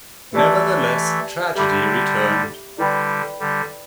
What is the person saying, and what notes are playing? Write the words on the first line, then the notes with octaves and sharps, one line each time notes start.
Nevertheless, tragedy returned.
E3 A3 G4 D5 A5
D3 G3 G4 E5 B5 D6
D3 G3 E4 B4 D5 G5 B5
D3 G3